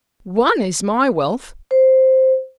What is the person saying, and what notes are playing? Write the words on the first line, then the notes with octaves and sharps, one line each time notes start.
ONE is my wealth!
C5